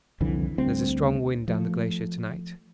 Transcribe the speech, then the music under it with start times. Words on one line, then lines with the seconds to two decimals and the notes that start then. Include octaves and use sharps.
There is a strong wind down the glacier to-night.
0.20 C2 F2 D3 E3
0.58 D2 G3 C4
1.48 F3 A3